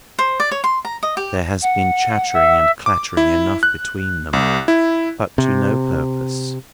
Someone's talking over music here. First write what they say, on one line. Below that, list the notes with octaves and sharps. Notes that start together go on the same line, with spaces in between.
There has been chattering and clattering enough between them, but to no purpose.
C5
D5
C#5
C6
A#5
D#5
G4
F#5
E5
D6
E4
F#6
C2
E4
C3